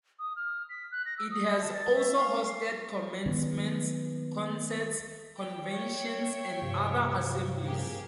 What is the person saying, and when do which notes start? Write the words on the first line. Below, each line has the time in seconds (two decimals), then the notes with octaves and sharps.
It has also hosted commencements, concerts, conventions and other assemblies.
0.19 D#6
0.36 F6
0.69 B6
0.92 F#6
1.06 A#6
1.18 E6
1.31 D#6
1.62 A5
1.74 A6
1.94 E5
2.17 F5
2.47 C7
3.26 D#3 F#3 G#3 B3
5.38 G4 G5
5.68 C#5 E5 G5
6.62 G2 C3 F3
7.66 A#3 G4 G#4